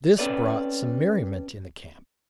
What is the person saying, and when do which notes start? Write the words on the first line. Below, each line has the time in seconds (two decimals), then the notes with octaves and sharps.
This brought some merriment in the camp.
0.19 C4 C#4 A4 B4 D5